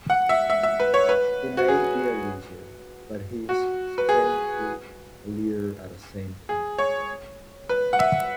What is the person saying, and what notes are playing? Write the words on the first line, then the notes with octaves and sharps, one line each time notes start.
He may be a loser, but he's, strangely, a leader at the same time.
F#5
E5
E5
E5
B4
C#5
B4
F#4
G#4
F#4
B4
G#4
G#4
C#5
B4
F#5
E5